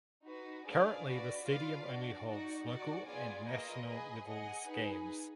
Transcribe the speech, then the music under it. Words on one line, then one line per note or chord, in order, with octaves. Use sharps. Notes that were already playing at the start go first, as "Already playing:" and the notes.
Currently the stadium only holds local and national levels games.
D#4 F#4 B4
D4 G#4 B4 D5 F5
F#4 B4 D5
F4 B4 D5 F5
D4 F#4 D5
D#4 F#4 D5 F#5
D#4 F#4 D5 F#5
B3 F4 G#4 D5 G#5
A#3 F4 B4 D#5
G#4 B4 D#5
G#4 D#5 F#5
D#4 G#4 B4